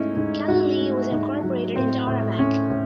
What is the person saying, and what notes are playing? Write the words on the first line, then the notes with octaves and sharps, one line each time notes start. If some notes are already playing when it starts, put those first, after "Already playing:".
Galilee was incorporated into Aramac.
Already playing: G#2 A3 C#4 D#4 E4
G#2
G#2 F#4
A3
G#2
F#3
A2 C4
A2
A2 C#4
A2